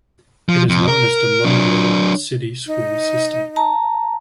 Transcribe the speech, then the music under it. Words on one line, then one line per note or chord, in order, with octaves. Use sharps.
It is known as the Monroe City School System.
F3
F2
A#4
F#3 D4
D#4
A5 A#5